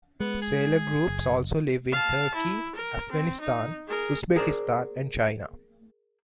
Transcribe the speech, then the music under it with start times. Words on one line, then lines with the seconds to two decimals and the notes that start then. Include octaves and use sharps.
Salor groups also live in Turkey, Afghanistan, Uzbekistan, and China.
0.20 G#3 B3
0.42 G#4
1.08 F#1
1.92 F5 A5
2.34 E4
2.75 A#4
3.11 C4
3.40 D#4
3.87 G#4 A#4
4.36 G#4 A#4 C5 D5